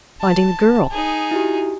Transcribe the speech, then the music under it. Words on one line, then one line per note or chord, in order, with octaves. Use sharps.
"Finding the girl."
A5
D#4 G#4
E4 F#4 G4